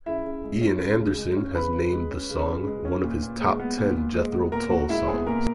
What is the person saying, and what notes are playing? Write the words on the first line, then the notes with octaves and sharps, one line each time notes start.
Ian Anderson has named the song one of his top ten Jethro Tull songs.
C#3 E4 E5
C#3
G#3
C#4
C#3
C#3
G#3
C#4
C#3 B4 B5
C#3
G#3
C#4
C#3
C#3
G#3
C#4
A#2
A#2
G#3
B3
A#2
A#2
G#3
B3
A#2 A#4 A#5
A#2 F#4 F#5
G#3 E4 E5
B3 G#4 G#5
A#2 A#4 A#5